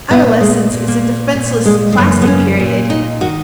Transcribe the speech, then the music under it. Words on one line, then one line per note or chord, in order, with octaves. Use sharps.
Adolescence is a defenceless plastic period.
A#2 B3
G#3
A#2
A#3
A#2
G#3
G#3
F#2 C#3 E3 A#3
B3
C#4
A#2
D#4
D#3 F#4